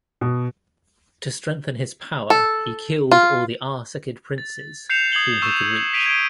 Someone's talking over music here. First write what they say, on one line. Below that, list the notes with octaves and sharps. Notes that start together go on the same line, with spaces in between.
To strengthen his power he killed all the Arsacid princes whom he could reach.
B2
A4
F4
A6
G6 C7 C#7 E7 F7
D#6 G#6 C7 F#7 G7
C#6 E6 E7
B6 D7 D#7 F7
G#6 D7 G7